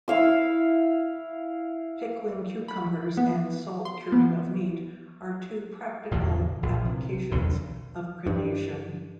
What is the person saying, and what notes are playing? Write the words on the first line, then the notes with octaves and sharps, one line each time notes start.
Pickling cucumbers and salt-curing of meat are two practical applications of crenation.
E4 F5 E6
B5
B3
C6
B3
A1 E2 B2 D3
A#1
C3
B1 E2 C#3
G2